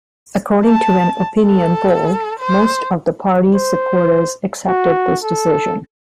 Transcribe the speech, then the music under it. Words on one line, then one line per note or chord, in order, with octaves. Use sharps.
According to an opinion poll, most of the party's supporters accepted this decision.
A5
A4
C5
C5
F#4
A4